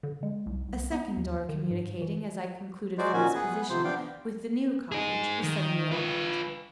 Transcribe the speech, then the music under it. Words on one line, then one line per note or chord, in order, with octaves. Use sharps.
A second door communicating, as I concluded from its position, with the new cottage, was suddenly opened.
D3
G#3
C2
C2
B3
D#2
D#3
G#2
E3
F#3 G#3 F#4 C5 D5
A#2 D#3 C#4 F#4 G#5
B3 G#4 B4
C3 F3 C5
B3 D4 F5 G5
D#4 G#4
D#3
F4 B4